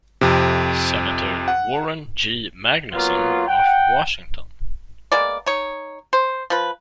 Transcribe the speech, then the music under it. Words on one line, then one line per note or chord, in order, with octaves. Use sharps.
Senator Warren G. Magnuson of Washington.
F2 C3
F#5
F#3 A#3 B3 F4
F#5 G5
G#3 A#3 B3 D5
D#4 C#5
C5
F3 B4